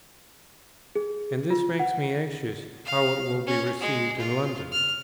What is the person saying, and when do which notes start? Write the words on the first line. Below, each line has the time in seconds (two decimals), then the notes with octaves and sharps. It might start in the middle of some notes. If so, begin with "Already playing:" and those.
And this makes me anxious how it will be received in London.
0.95 G#4
1.50 F4
1.79 F#5
2.85 F5
3.47 C#4
3.80 G#3
4.18 F4
4.72 F6